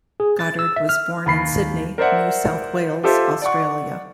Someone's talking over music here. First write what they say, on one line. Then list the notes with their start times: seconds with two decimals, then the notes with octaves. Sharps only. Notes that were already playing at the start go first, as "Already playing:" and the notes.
Goddard was born in Sydney, New South Wales, Australia.
0.20 G#4
0.39 A6
0.59 E6
0.76 E5
0.89 F6
1.26 D#2 B5 C7
1.98 A#4 C5 D5 E5 F#5
3.03 F4 G4 A4 C5 E5
3.42 D5 F#5 C#6